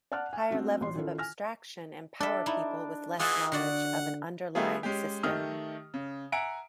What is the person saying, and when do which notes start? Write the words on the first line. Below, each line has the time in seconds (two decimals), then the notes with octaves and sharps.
Higher levels of abstraction empower people with less knowledge of an underlying system.
0.12 D5 F#5 A5 F6 F#6
0.33 G#5
0.50 A3 C4 D4 F#4
0.81 A1 C6
0.95 D#3 C#4 E4 F4 A4
1.18 G#5 F6 A#6
2.21 D4 A4 E5
2.46 D#4 E4
3.20 E3 F4 G#4 D#5 F#5 A5 D#6
3.52 D3 F#4 D5 F#5
4.55 G3 A3 B3 F4 G#4
4.83 G#3 C#4 G4
5.23 D#3 A3 G4 D#5 D#6 F6
5.94 C#3
6.32 E5 F#5 G#5 A#5 D7